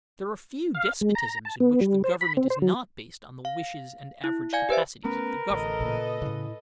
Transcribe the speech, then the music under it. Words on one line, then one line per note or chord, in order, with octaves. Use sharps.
There are few despotisms in which the government is not based on the wishes and average capacities of the governed.
F5
G#3
A#5
A5
B3
G3
C5
B5
C4
C5
F#3
F5
E4
D5 F5 G#5 G#6
G4 B4 C5 E5
A3 B3 C#4 A#4 B4
A1 E2 D3 A4 B4 D#5
A#2 C#3
A2 C#3 E4